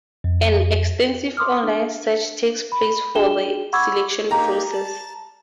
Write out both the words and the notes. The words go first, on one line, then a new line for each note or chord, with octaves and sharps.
An extensive online search takes place for the selection process.
F2
C6 D6 D#6 F6
D4
B5
D4 F#4 G#4 G5 E7 G7
F#5 B5 C#6 D6 E6 G#6
A#3 D#4 G4 A#5
A5